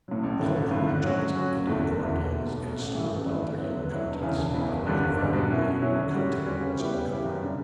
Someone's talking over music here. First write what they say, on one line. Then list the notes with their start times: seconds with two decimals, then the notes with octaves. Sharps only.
The whole crew jumped into the corn-bins, and stirred about their yellow contents; but neither arm, leg, nor coat-tail was uncovered.
0.08 A2 F#3
0.23 A1
0.40 G2 D3 A3 E4
0.56 A1
0.71 G2 D3 A3 E4
0.87 D3
1.03 F#3 C#4 F#4
1.19 D3
1.35 F#3 C#4 F#4
1.51 F#1
1.67 E2 D3 A3 E4
1.82 F#1
1.99 E2 D3 A3 E4
2.15 B1
2.30 B2 A3
2.46 B1
2.63 B2 A3
2.79 A1
2.95 G2 E3 A3
3.10 A1
3.26 G2 E3 A3
3.42 D3
3.58 F#3 B3 E4
3.74 D3
3.90 F#3 B3 E4
4.06 E1
4.22 E2 C#3 E3
4.37 E1
4.54 E2 C#3 E3
4.69 F#1
4.86 E2 D3 G3 D4
5.02 F#1
5.17 E2 D3 G3 D4
5.33 B2
5.50 F#3 C#4 E4
5.66 B2
5.81 F#3 C#4 E4
5.98 D3
6.14 G3 C#4 F#4
6.30 D3
6.46 G3 C#4 F#4
6.61 C#3
6.78 G3 B3 E4 G4
6.94 C#3
7.09 G3 B3 E4 G4
7.25 F#2
7.41 C#3 G3 D4